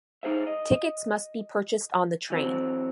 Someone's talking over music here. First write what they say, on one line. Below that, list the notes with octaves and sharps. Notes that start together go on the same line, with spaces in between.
Tickets must be purchased on the train.
D#4 G#4 C5 E5
D#5
E3 F#3 C4